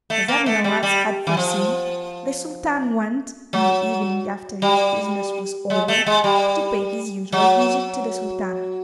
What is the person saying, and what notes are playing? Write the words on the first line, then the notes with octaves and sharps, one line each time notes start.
As Abu Nowas had foreseen, the Sultan went, in the evening after his business was over, to pay his usual visit to the Sultana.
A3
A#3
A3
G3
G3
E3
F3
F#3
G3
G#3
A3
G#3
G3
F#3